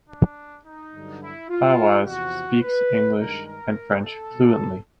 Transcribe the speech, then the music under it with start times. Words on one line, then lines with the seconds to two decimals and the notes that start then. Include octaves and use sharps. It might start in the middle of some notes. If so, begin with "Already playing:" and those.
Fawaz speaks English and French fluently.
0.09 D4
0.66 D#4
0.94 G2 D3 F#3
1.22 E4
1.50 F4
2.06 E2 C3 F3 F#4
2.62 B4
3.19 G2 D#3 G#3 A#4
3.46 A#4
4.02 A4
4.31 B2 G3